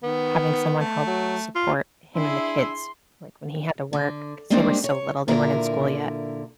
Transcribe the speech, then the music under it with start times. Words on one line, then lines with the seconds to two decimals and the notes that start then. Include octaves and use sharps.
having someone help support him and the kids, like, when he had to work- 'cause they were so little, they weren't in school yet-
0.03 D#3 B3
0.79 A3
1.07 F#3
1.56 F4
2.15 D4 E4 G#4 E5 C6
3.93 D3
4.50 G3 G#3 A#3 C4 D4
4.84 C#5
5.28 A#2 D3 E4 A#4